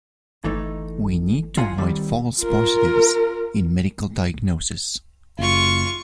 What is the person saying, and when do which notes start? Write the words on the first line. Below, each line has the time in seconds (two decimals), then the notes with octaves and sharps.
We need to avoid false positives in medical diagnoses.
0.44 G1 E3 A3 D#4
1.57 F4 F#5 G#5
1.78 D#3 G3 C4
2.40 F4 A#4
5.39 F#1 F4 C#6